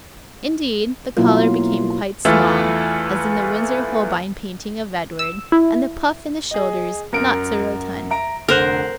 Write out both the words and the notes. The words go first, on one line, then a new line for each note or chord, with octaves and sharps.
Indeed, the collar became quite small, as in the Windsor Holbein painting of Edward, and the puff in the shoulders not so rotund.
B2 F#3 A#3 E4 F4 A#4
E2 E3 A3 F4
E6
E4
G#4 D#5
F#2 A#4 D7
E5 A#5 D7
F1 D3 A#4 C5 F#6